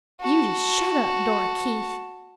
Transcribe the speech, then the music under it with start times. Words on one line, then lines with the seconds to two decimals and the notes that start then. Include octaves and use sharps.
"You just shut up, Dora Keith."
0.21 F#4 A5